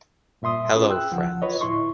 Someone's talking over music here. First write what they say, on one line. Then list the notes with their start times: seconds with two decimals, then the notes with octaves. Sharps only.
Hello friends.
0.42 G2 A#2 E5 C6 D#6
0.75 C#4 F4 G#4 B4
0.90 G5 E6 F#6
1.11 C#2 F3 F#5
1.42 F4 B4 C#5 D#5
1.61 D2 A2 E4 C6 C#6